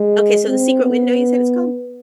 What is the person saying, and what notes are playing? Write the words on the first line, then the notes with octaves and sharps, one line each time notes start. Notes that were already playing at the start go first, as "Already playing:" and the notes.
Okay, so The Secret Window, you said it's called?
Already playing: G#3
C4
B3